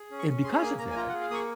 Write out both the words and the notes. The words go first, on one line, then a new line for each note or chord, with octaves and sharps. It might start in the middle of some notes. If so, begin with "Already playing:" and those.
and, because of that,
Already playing: G#4
C#4
C#6
C#4
G#4 C6
A#3 G#5
A#3 A#5
G#5
F4 A#5
F#5
G#4
F5
A#3 C#6 D#6